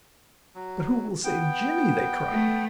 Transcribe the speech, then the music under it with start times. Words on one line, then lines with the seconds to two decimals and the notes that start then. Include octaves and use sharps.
"But who will save Jimmie?" they cried.
0.55 F#3
1.24 B3 G5
2.29 A3